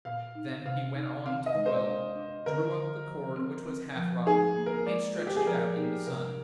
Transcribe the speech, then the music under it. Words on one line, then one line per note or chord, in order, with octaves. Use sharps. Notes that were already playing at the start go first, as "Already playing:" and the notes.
Then he went on to the well, drew up the cord, which was half rotten, and stretched it out in the sun.
A#2 F5
D#4
C3 F5
D#4
C4 F5
D#5
G#3
C5
D4
D4
D3 A#4
D3
F3
C4
C4
F3
D#4 G#4
A#3
A#4
G#3 D5
F4
G4
G#4
F3 A#4
D#4
C3 A#4